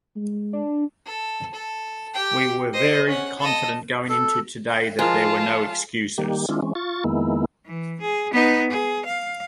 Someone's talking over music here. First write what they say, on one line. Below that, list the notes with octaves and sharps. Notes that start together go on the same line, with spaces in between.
We were very confident going into today that there were no excuses.
G#3
D4
A4
A4
G4 G5
C5 D#5
C#4 F#5
A4 D#5
A4
F3 G#3 F4 A#4 A5
D#3 G3 A#3 G4
D#3 G#3 C4 D4 E4 F4
E3 G#3 C4 C#4
F4 C#6 A6
F2 D#3 G#3 A#3 B3 E4
E3
G#4
B3 D#4
G#4
F5